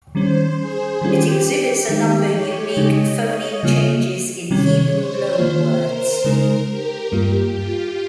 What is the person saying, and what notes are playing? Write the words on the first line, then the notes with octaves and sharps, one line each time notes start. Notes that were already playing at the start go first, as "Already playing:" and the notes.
It exhibits a number unique phoneme changes in Hebrew loanwords.
D#3 G3 C#4 C5
G#4
D#3 G3 C#4 F4 G4
G4
D#3 G#3 D#4
C#5
C#3 G#3 D#4 D#5
C#5
C#3 G3 A#3 F4
C3 D#3 G3 C#4 C#5
C5
D#3 A#3 F4
A#4
C#3 G#3 D#4
G4
G2 G3 A#3 F4
F4